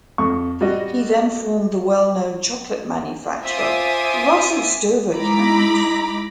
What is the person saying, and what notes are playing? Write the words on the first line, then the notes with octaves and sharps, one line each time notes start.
He then formed the well-known chocolate manufacturer Russell Stover Candies.
F2 C#6
G3 F#4 D#5
F4 C5 E5 G#5 D6 D#6
G#3 D#4 E4 A#5 B5 D6